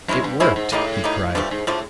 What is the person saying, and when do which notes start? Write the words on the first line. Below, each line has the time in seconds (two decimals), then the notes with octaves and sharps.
"It worked!" he cried.
0.08 F#2 G#3 C#4 E4
0.24 G2
0.40 G#2 G#3 C#4 E4
0.56 G#2
0.72 A2 G3 A#3 D#4
1.04 G3 A#3 D#4
1.35 G2 D3 F3 A3
1.51 G#2
1.67 A2 D3 F3 A3